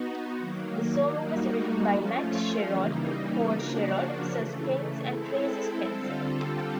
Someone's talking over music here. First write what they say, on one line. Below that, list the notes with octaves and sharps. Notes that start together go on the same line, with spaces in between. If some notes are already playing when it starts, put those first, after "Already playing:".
The song was written by Matt Sherrod, Paul Sherrod, Sir Spence and Tracie Spencer.
Already playing: B3 D#4 F#4
D#3 F#3 A#3
G3 A#3 D#4 F#4
F3 A3 C#4 F4
C#3 E3 G3 A#3 D#4
C#3 F3 A#3 D4 F#4
C#3 E3 A3
G#3 C4 E4 A4
D3 G3 C4 F4 A4